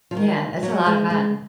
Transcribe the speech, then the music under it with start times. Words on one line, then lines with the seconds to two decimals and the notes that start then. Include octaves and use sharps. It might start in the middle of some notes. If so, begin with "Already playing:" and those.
Yeah, it's a lot of fun.
0.11 F3
0.17 D#3
0.63 F#3
0.86 G#3
1.10 G#3